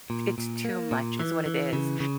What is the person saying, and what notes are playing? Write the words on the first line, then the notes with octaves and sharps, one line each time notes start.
it's too much is what it is.
A#2
A#2
A#3
A#2
E3
E3
C#3
C#3